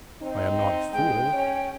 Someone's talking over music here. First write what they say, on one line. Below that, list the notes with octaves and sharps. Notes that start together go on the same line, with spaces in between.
I am not a fool.
C4 D#4
G#2 G#3 G5
C#4 C#5